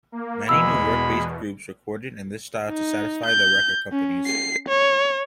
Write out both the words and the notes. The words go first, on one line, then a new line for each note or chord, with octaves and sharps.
Many New York-based groups recorded in this style to satisfy their record companies.
A#3
E2 B2 G#3 B5 E6
D#4
G6
C#4
C7
C#5